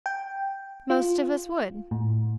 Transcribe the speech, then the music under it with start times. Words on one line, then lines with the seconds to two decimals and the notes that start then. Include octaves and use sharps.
"Most of us would."
0.06 G5
0.90 F4
1.91 A2